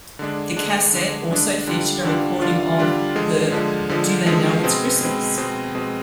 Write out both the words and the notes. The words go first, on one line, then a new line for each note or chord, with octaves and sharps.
The cassette also featured a recording of the Do They Know It's Christmas?
D3 G#3 D4
D3 G#3 D4
D3 G#3 D4
D3 G#3 D4
D3 G3 D4 F4
D3 G3 D4 F4
D3 G3 D4 F4
D3 G3 D4 F4
D3 F3 G#3
D3 F3 G#3
D3 F3 G#3
D3 F3 G#3
B2 G#3 C4
B2 G#3 C4
B2 G#3 C4
B2 G#3 C4